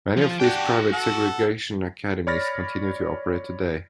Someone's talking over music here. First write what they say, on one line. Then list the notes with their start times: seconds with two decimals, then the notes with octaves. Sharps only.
Many of these private "segregation academies" continue to operate today.
0.17 F3 F4
0.40 D4 F#4 G4 G5
0.93 A4 F#5
2.27 C#5 D5 B5 F6 A6 A#6